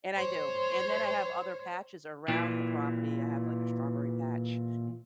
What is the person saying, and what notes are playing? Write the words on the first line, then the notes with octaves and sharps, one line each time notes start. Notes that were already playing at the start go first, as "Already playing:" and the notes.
And I do. And then I have other patches around the property. I have, like, a strawberry patch,
C5 C#5
A#2 E3